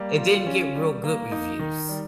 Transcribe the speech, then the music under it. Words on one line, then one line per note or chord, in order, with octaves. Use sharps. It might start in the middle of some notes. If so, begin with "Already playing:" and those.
It didn't get real good reviews.
Already playing: G3 A#3
F4
C#4
G3
A#3
D#4
D#3
G3